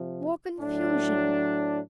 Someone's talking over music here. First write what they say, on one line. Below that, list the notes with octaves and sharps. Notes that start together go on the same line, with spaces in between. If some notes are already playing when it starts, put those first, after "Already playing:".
More confusion.
Already playing: C3 F3
A2 F#3 D4